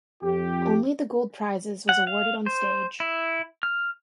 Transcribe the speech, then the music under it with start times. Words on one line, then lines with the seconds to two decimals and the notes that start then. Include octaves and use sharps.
Only the Gold Prizes was awarded on stage.
0.22 F2 G4
1.89 F#5
2.07 F5
2.46 C5
3.00 E4
3.63 F6